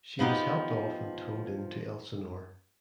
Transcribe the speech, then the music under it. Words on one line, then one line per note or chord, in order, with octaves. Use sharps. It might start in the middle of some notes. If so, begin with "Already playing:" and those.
She was helped off and towed in to Elsinore.
F3 B3 D#4 G4